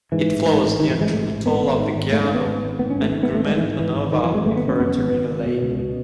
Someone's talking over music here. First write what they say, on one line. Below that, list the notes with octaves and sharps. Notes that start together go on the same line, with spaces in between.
It flows near Tramutola, Viggiano, and Grumento Nova before entering a lake.
G#2 E3
A1
G#2
A1
G#2 D#3
E3
A1
G#3
G#2 A3
A1
G#2 B3
G#1
G#2
G#1
G#2 A3
C#4
G#1 B3
G#2
G#1
G#2 B3
C#4
G#1
A3
G#2
B3
G#1
A3
G#2 G#3
E3
G#1
G#2 E3
G#1
F#2 D#3
E3
G#1 G#3
G#1 A3
B3
C#3
C#4
F#2 B3
G#1
G#1
C#3
B2
C#2
B2